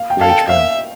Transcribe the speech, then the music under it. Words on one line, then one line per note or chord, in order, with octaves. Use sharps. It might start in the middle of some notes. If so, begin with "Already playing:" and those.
very true.
Already playing: F5
G5
A4 F5
G5
E5 F5